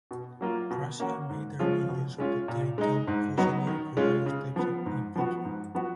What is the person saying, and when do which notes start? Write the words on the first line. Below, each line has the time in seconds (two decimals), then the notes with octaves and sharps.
Prussia made early use of the title "fusilier" for various types of infantry.
0.11 B2
0.41 F#3 A#3 F4
0.70 B2
1.00 A#3 C#4 F#4
1.29 G#2
1.59 F3 G#3 C#4 F4
1.89 B2
2.18 G#3 C#4 F4
2.48 A#2
2.78 G#3 D#4
3.07 G#2
3.38 F#3 B3 D#4
3.67 D#3
3.97 G#3 C#4 F4
4.26 C#3
4.56 F3 B3
4.86 G#2
5.16 F3 B3 F#4
5.45 G#2
5.75 F3 B3 F#4